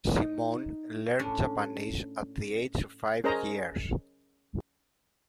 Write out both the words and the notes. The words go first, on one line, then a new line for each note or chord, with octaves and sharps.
Simone learned Japanese at the age of five years.
D#4
A2 C#4 D4
C#4 G#4 A#4 C5 D#5 A#5